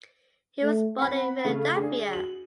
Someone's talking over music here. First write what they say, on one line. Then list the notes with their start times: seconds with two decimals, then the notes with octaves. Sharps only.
He was born in Philadelphia.
0.63 A3
0.99 C4 F#5 B5
1.45 C#3 A3 F5
1.76 D3 D4 G#4
2.13 F#4 F#7